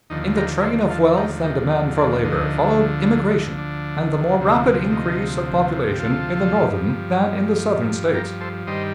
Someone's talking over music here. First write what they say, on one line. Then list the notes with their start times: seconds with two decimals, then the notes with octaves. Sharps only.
In the train of wealth and demand for labor followed immigration and the more rapid increase of population in the Northern than in the Southern States.
0.10 D#2 D3 F3 D#4
0.37 G4 A#4
0.59 A#4
0.63 A4 C5
0.90 F4 A4
1.17 D#4 G4
1.44 D#4 G4
1.98 D4
2.24 D2 D3 F3 D#4
3.31 D#4
3.58 D4
4.39 D2 C3 F3
4.92 D#4
5.90 G4
5.99 F4 A4
6.53 G2 F3
8.14 G4 A#4
8.41 A4 C5
8.67 G2 D#3 G3 C5 D#5